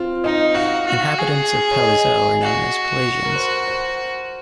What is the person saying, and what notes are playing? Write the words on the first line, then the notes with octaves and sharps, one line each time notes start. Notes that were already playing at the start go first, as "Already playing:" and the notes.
Inhabitants of Palaiseau are known as "Palaisiens".
Already playing: C4 F4
D#4 D#5
F#4 F5
F#4
G#4
C#5
D#5
F#4
A#4
C5
C5